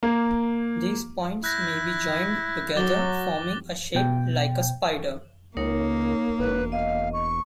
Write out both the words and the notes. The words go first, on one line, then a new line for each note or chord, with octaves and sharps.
These points may be joined together forming a shape like a spider.
A#3
E4 F#6 G6 A#6
F#3 D6 A6 G7
B2 G5
C#2 A#3 D#4 A#4 C#5
E1 B4
D#5 F5
C#6